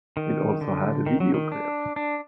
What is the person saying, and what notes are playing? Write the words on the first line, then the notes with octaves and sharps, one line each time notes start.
It also had a video clip.
D#3
D3
D#3
F#3
D#3
D4
D4